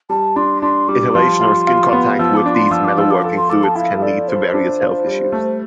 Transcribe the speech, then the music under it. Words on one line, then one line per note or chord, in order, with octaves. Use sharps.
Inhalation or skin contact with these metalworking fluids can lead to various health issues.
G3 A5
D4 C6
D4 C6
G3 D6
F3 C6
F4
F4
B3
F3 E6
D6
D4
C6
F3 E6
D6
F3 E6
D6
A4
C6
A4 D6
A5
E4 F5
A4 D5
F4 C5
D4
F4
G3
A3